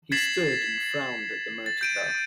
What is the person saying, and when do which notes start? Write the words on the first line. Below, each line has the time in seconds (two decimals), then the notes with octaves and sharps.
He stood and frowned at the motor-car.
0.12 G#6 A6 B6 C7 E7 F#7
1.66 A6
1.81 G6 D7 D#7